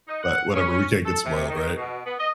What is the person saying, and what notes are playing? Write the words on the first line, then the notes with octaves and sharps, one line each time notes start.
But whatever, we can't get spoiled, right?
D#4
F#5
C#4
A4
C3
D#3
B2
B3
D#5